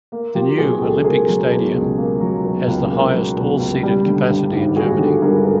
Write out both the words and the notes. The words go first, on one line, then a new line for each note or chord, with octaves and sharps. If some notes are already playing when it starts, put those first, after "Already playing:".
The new Olympic Stadium has the highest all-seated capacity in Germany.
A#3
F#3 F4 G4
B2 F#4 G#4
C#2 G4 A4
A#3 G#4 A#4
F#3
B2
C#2
A#3
F#3
B2
C#2
A#3
F#3
B2
C#2
G3
D3
G2
G#1
G3 F#4 G#4
D3 G4 A4
G2 G#4 A#4
A4 B4